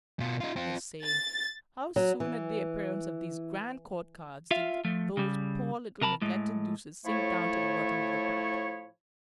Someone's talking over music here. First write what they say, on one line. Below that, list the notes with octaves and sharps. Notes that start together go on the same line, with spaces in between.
I say, how soon at the appearance of these grand court cards, did those poor little neglected deuces sink down to the bottom of the pack.
B2 F4
D#4 F4
C4 F4
A6
F#3
E3
F4 E5 F5
F3 A3
C#3 G3
C3 A#4 A5 B5
A2 G#3
A2 F3 A3 E4 C#5